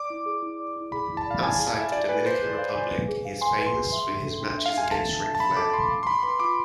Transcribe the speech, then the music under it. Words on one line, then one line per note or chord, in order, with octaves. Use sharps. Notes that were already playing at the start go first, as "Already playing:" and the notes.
Outside the Dominican Republic, he is famous for his matches against Ric Flair.
Already playing: D5 D6
E4
G#4
E4
D5
E4
G#4 B5
E4
A5
D5 F5
E4 G#5
G#4 G#5
A5
E4 E5
D5 F5
B4 G#5
B4 C5
G#4
F5
G#5
B4
G#4
F5
G#5 C6
B4
C6
G#4
E5
D4
A4
D4
E5
F5
D4 G#5
A4 A5
D4
E5
A5
D4 B5
A4 D6
D4 C6
F5
C6
A5 B5
B4 C6
F4 D6